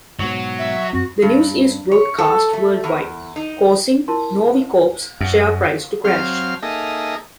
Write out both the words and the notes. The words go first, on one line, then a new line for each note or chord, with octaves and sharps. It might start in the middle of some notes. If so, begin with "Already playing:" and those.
The news is broadcast worldwide, causing Novicorp's share price to crash.
G#2 B2 F#3 F#4
E5
F#2 C4 F#4
G2
C#5
A4
A3
E2
D#4
E4 A#4 A5 C6
F#2
F#3 C4 F5 C6 F6
A#3 D#4 G#4 A4 D#5 E5